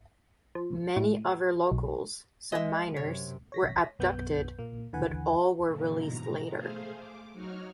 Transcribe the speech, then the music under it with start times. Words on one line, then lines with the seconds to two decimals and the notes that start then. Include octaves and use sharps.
Many other locals, some minors, were abducted, but all were released later.
0.55 F3
0.96 A2
1.71 B1
2.52 G#3 D#5 E5
2.97 F#2 C3 C#5
3.52 C#5 A#6 B6
3.99 B1 F#2 B3 G6
4.59 A#2 A#3
4.93 D#2 D3 E3 B4 F#5 G#5
5.65 F#2 A#2 D3 E3 F3
5.97 G#2 B2 A#5
6.53 A3 G#4 C5 F5
6.99 D6
7.33 F#3 D#4 F#4 C#5 F6